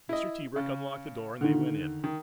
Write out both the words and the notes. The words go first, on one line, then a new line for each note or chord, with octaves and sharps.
Mr. Tebrick unlocked the door and they went in.
E4 D#5
C#3
D3 D#3
D#3